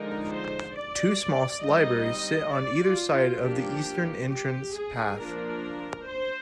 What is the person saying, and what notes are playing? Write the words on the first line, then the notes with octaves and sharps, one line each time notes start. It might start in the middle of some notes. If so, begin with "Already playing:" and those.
Two small libraries sit on either side of the eastern entrance path.
Already playing: D3 F3 G#3 D#4 A#4
C5
D5
G3 C4 D#4 D#5
D5
F4
F4
F3 A#3 D4 G4
G4
G#4
F3 A#3 D4 A#4
C5